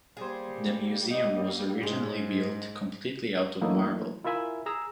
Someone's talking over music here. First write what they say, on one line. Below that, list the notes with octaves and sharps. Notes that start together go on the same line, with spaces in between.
The museum was originally built completely out of marble.
G3 A#3 G#4 C5
D#4 D#5
G#2 G#3
E3 F#3 A3 A#3 D#4 E4
E4 F4 A#4 E5 G#5 B5
G#4 A#5 E6